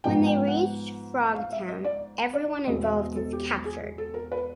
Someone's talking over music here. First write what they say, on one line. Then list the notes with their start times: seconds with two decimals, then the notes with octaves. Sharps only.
When they reach Frogtown, everyone involved is captured.
0.04 G#2 F3 G#3 B3 G5
0.27 G5
0.48 F#5
1.35 F5
1.52 E5
1.69 D#5
1.84 D5
2.34 D5
2.67 E2 B2 G#3 C4 D#5
2.84 E5
3.00 D#5
3.16 A4
3.33 G4
3.65 G#4
3.98 A4
4.14 A#4
4.32 B4